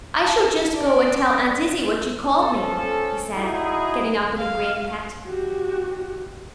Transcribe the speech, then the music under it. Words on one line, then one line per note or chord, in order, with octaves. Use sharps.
"I shall just go and tell Aunt Izzie what you called me," he said, getting up in a great pet.
A5
D5
F3 C#4 A4
D#4 E4 F#4 G#4
F5
F#4 G4